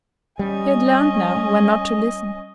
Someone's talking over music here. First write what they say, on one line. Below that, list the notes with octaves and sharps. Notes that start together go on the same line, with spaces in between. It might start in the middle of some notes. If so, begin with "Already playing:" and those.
She had learned now when not to listen.
G3 C#4 D#5 G#5